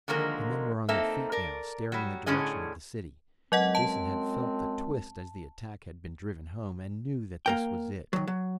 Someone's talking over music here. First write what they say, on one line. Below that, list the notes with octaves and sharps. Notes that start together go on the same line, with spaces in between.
The men were on their feet now, staring in the direction of the city. Jason had felt the twist as the attack had been driven home, and knew that this was it.
D3 D#3 F3 G#3 A#3 A#4
A#3 C4 D#4 A4 E5
A#4 D5
F#3 G3
A2 D3 C#4 G#4 D#5
F#2 F#3 G#3 C4 D#5 F#5
A5
A#3 A#4 G5
D#3 F#3
F#3